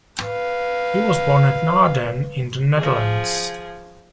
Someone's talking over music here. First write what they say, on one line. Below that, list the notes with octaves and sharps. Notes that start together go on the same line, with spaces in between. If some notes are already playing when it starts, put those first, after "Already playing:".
He was born at Naarden in the Netherlands.
B4 F5
F3 G#4